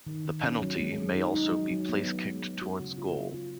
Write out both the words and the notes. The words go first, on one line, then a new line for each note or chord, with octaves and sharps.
The penalty may also be place-kicked towards goal.
D#3
D#3
C#4
F#3
G#3
G#3
D#4
D#4
F#3
F#3
B3
F#3
G#3
G#3
F#4
C#3
F4
B3
F4